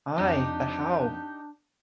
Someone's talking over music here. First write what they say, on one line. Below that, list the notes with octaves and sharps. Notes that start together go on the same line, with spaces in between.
Ay, but how?
F2 D4 D#4 G4